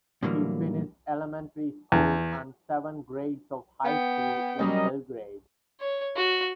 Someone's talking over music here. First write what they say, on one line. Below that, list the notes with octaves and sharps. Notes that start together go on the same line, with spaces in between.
He finished elementary school and seven grades of high school in Belgrade.
A2 D3 E3 F#3 G3 A#3
E2
B3 G5
F#3 G3 C#4 A#4 D#5
C#5
F#4